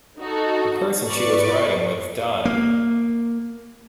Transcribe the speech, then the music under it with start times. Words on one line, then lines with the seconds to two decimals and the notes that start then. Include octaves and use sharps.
The person she was riding with died.
0.18 D#4 F#4 A4
1.06 B4 D5 C#6
2.45 A#3